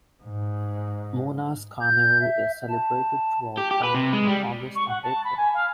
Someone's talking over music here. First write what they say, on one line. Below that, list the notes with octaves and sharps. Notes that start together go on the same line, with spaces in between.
Muna's Carnaval is celebrated throughout town in August and April.
G#2
G6
E5
A5
G4
G4
B4
C3
G#3
G3
C#6
F#5
A5
B5
G#5
F5